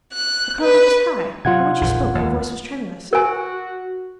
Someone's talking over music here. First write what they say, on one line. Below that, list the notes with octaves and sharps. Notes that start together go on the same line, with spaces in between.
Her color was high, and when she spoke her voice was tremulous.
F#6
B4
C3 F#3 F4 F#5 G#6
A#1 F2 F3
D#2
F#4 A#4 G#5